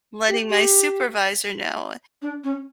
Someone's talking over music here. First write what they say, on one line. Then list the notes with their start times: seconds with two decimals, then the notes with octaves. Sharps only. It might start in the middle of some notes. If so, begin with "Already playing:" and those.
letting my supervisor know,
0.28 G4
0.50 G4
2.22 D4
2.44 C#4